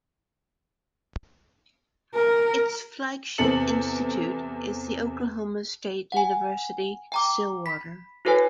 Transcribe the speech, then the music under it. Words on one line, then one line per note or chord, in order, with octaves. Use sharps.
Its flagship institute is the Oklahoma State University-Stillwater.
A#4
E2 C3 C4 A4 C#7 F#7
F#5 G#5
G5 A#5 D6
B5 B6
E4 F#4 A4 B4 C#5 G#5